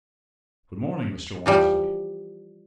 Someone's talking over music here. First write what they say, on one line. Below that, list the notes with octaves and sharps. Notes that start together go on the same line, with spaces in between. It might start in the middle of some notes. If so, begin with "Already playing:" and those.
"Good morning, Mr. Walmsley!"
E3 F3 G3